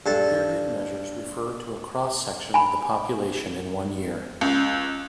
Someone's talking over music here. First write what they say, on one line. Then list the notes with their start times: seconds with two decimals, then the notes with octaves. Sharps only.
"Period" measures refer to a cross-section of the population in one year.
0.06 G2 A4
2.54 G#5 B5
4.41 C#2